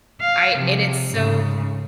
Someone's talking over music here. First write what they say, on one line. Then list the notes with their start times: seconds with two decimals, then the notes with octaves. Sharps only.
I and it's so
0.21 F5
0.56 C3 F3
1.11 G#2 C#3